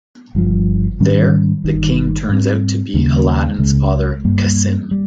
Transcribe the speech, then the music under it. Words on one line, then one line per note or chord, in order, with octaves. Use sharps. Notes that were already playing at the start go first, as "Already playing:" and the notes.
There, the king turns out to be Aladdin's father Cassim.
G1 G2 F3
G#2 D#3 G3 C#4
G1 G2 D#3
G#2 G3 C4
D#2 C#3 G3 A#3
C#2 C#3 G#3
G2 G3 A#3
G3